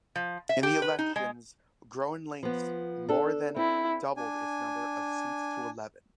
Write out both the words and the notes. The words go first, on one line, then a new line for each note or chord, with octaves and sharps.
In the elections, GroenLinks more than doubled its number of seats to eleven.
F3
E5
G4
B4
D#4
G#3
F3 B3
D4 A4
C4 E4
D4 G#5